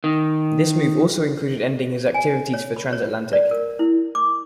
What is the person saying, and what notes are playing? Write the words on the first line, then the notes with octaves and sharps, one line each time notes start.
This move also included ending his activities for Transatlantic.
D#3
G#5
C#5
B5
C#5
D5
A#4
E4
D6